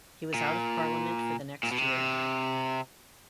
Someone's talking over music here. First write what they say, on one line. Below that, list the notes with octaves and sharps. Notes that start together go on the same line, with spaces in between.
He was out of Parliament for the next year.
A#2
A#2
B2
C3